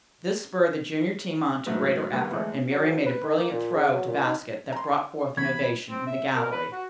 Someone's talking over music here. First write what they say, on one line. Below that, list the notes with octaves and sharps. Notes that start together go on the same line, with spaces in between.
This spurred the junior team on to greater effort, and Miriam made a brilliant throw to basket that brought forth an ovation from the gallery.
G#2 F#3 G#3 A3 B3
G2 D3 G3 A#3 B3
E3 G#3 A3
F#3
D2
B4
D#3
A#3
A#2
C#3
F#3
A#2
D#4
A#5 C6
C#2 E3 B3 B5 C#6 G#6
C4
E5
A#4
B4
F#4